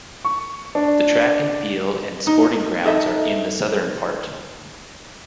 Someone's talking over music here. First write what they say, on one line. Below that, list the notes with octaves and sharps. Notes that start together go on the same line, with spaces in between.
The track and field and sporting grounds are in the southern part.
C#6
D4
D#4
D#4 A4 D#5 E5